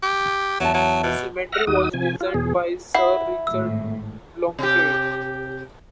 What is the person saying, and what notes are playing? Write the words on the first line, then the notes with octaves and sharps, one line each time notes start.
The cemetery was designed by Sir Richard Blomfield.
G4
E2 F#3 A5
F#3
B2
E5 F#5 F6 A#6
D#2 D#4 F#4 D#6
C3 F3 G#5
F4
E2 B2 G#4
E4 F#5
G#1 A2 E6
C3 G4